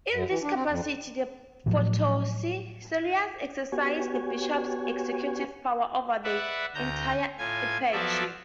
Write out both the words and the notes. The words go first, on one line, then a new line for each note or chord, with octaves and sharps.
In this capacity the "protosyncellus" exercises the bishop's executive power over the entire eparchy.
F#2
E3
D4
C4
F2
A2 F3 F#3
B3 F#4 G4 C#5 G#5
B4 D5 E5 F#5
D2 A#5 G6
A2 F4 G#5 G#6
F3 F#3 B3 A4 D5 E5